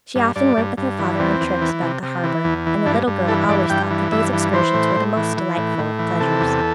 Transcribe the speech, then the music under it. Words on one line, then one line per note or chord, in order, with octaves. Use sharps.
She often went with her father on trips about the harbor, and the little girl always thought that these excursions were the most delightful of pleasures.
G2
G2 D5
G2
G2
E3
E2 C4
E2
E3
C3
C3
E3
E2
E3
G2 D4
G2
E3 A4
G2 D5
G2 G5
E3
G2 E5
E3
E3 C5
A2
A2
E3
E3
A2
A2
E3
C3 A4
E2